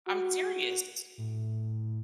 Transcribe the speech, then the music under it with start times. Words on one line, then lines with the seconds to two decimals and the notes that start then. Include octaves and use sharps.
I'm serious.
0.06 F#4
1.18 A2